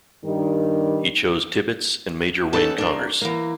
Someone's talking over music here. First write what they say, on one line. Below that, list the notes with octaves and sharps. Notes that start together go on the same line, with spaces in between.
He chose Tibbets and Major Wayne Connors.
G2 D#3 G3
C#4 D#4 A4 B4 A5
A#3 D4
E3 A#3